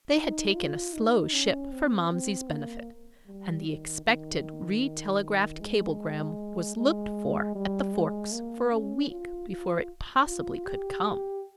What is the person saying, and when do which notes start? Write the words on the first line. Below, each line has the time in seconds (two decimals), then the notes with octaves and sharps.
They had taken a slow ship for Momsey's benefit and the expected re-telegraphed cablegram was looked for at the Forks for a week before it possibly could come.
0.17 D#4
0.55 F4
0.94 D#4
1.33 C#4
1.72 C4
2.11 C4
2.49 A#3
3.26 G3
3.66 D#3
4.05 D#3
5.61 G#3
6.77 G#3
7.55 G3
7.94 G#3
8.32 A#3
8.72 C#4
9.10 F4
9.49 F4
10.27 F4
10.66 G4